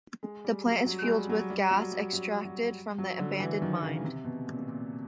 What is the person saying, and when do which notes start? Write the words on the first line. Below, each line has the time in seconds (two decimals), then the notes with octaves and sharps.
The plant is fuelled with gas extracted from the abandoned mine.
0.23 G#3
0.45 G3
0.66 F#3
0.87 F#3
1.02 G#3
1.07 G3
1.29 F#3
1.50 G3
1.71 F#3
1.92 G3
2.13 F#3
2.45 F#3
2.98 F#3
3.20 D3
3.40 E3
3.62 D#3
3.83 C#3
4.04 C3
4.24 B2
4.47 A#2
4.67 A#2